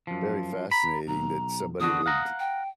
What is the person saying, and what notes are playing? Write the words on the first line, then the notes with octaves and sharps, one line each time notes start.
very fascinating that somebody would,
F#2 F3
A#5 B5
B1 A#5
E2 D3 F#4 D#6
F5 F#5 A#5
G5